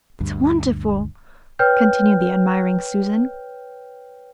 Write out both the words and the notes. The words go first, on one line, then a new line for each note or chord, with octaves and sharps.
"It's wonderful," continued the admiring Susan.
D2 G2
B4 C#5 G5 F6 G6